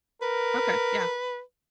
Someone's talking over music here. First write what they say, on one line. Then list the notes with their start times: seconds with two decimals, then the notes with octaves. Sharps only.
Okay. Yeah.
0.22 A#4 B4